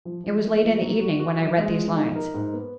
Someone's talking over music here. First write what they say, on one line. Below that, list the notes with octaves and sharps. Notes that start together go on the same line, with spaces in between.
It was late in the evening when I read these lines.
F3
F3
A#3
F3
F#3
F#4
F#4
F#3
G#3
F3
D#4
A#4
G#2
B3